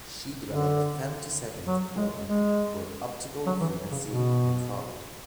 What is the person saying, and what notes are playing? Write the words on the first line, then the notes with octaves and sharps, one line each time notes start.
She developed femtosecond combs for optical frequency metrology.
D3
F#3
G#3
G#3
F#3
E3
C#3
B2